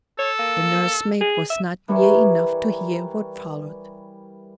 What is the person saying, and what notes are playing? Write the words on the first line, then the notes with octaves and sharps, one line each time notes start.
The nursemaid was not near enough to hear what followed.
A4 C#5
A#3
G#4
E5
E3 G3 A#4 C#5